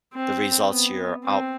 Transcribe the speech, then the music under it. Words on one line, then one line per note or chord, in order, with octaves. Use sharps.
the results you're out
C4
B3
C4